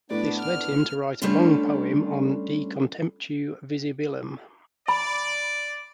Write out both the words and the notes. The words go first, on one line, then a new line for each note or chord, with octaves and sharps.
This led him to write a long poem on "De contemptu visibilum".
A2 B3 D4 B4 D5
F6
G3 A3 C#4 D4 F4 A4
D5 B5